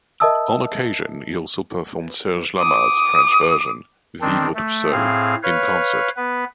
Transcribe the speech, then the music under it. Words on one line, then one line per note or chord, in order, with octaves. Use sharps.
On occasion he also performed Serge Lama's French version, "Vivre tout seul", in concert.
A#4 D#5 E5 A5 D#6 E6
D6 D#6
D#3 C4 D4
A3
A2 C4 G#4 F5
B4 C#5 F5
B3 B4